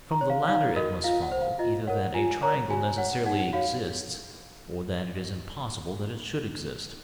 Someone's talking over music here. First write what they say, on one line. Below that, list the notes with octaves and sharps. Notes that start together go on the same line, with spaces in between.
From the latter it must follow, either that a triangle necessarily exists, or that it is impossible that it should exist.
A#5
C#5
F5
D#4 F5
F#4 A#4 D#5
F4 F5
F#5
C5
F5
F4 D#5
A#4 C#5 F#5
F4 G#5
A#4 C#5 A#5
F#4 G#5
C#5 F#5
D#4 F#5
F#4 C#5 F5